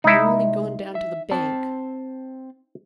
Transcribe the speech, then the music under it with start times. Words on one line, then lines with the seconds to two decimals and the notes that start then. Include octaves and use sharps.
"I'm only going down to the bank."
0.04 C2 G#3 D#4 E4
0.95 E5
1.31 C4 C5 A5